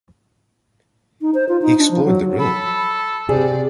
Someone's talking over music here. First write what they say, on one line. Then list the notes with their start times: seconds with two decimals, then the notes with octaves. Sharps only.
He explored the room.
1.21 D#4
1.34 C5
1.49 F4
1.62 D#4
1.78 D4
1.91 F3
2.05 F#3
2.39 A4 B5
3.29 C3 G#4 D5